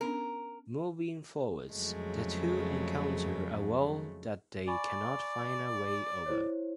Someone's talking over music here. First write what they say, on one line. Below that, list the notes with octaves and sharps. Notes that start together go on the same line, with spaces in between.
Moving forward, the two encounter a wall that they cannot find a way over.
B3 C#4 D4 A#4
F2 C#3 F#3 G#3 A3
D5 G#5 B5 C#6
E4 C5 C#5